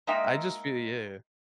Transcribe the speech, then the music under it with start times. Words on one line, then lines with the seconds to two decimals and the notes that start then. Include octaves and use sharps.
I just feel yeah.
0.07 G#3 A#3 D#4 E5 G5